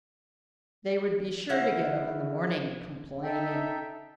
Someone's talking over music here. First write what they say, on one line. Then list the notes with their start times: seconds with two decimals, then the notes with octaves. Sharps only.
They would be sure to get up in the morning complaining.
1.49 C#3 E4 F#5
3.23 D#4 A4 E5 G5